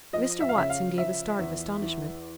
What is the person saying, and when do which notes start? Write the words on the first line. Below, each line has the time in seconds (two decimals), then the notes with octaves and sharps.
Mr. Watson gave a start of astonishment.
0.13 F3 D#5
0.41 E5
0.49 F5
0.55 C#3 E5
0.70 F5
0.97 F3 E5
1.39 E2
1.82 E3